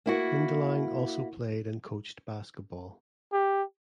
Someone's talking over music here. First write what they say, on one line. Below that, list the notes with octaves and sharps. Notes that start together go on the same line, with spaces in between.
Hindelang also played and coached basketball.
A#3 E4 F#4
G4